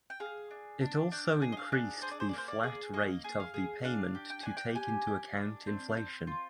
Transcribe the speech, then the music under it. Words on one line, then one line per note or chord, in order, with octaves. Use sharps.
It also increased the flat rate of the payment to take into account inflation.
G5
G#4 F5
D4
D4
D4 G5
G#4
D#5
F5
D4
G#4 C5
D5
C5
D5
A#3 C5
D5
G#4
A#3 D#5
G#4
F5
G#4
D4 F5
G4
G5
D4 G#5
G5
G4 G#5
G4
D4
C4
C4
F4